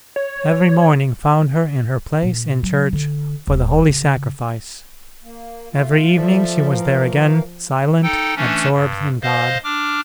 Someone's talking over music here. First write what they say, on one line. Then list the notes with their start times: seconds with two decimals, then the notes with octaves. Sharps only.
Every morning found her in her place in church for the Holy Sacrifice; every evening she was there again, silent, absorbed in God.
0.16 C#5
2.23 A#2
2.63 F#3
2.93 D3
3.47 D#1
3.89 C#3
5.23 A#3
5.72 A3 F4 F5
6.15 F3 A4 D5 E5
6.68 E3 A#4 F5
8.03 D#4 A4 G5
8.36 E3 A3 C#4 D4
8.71 G2
9.22 C5 D#5 F5
9.64 D4 D6 F6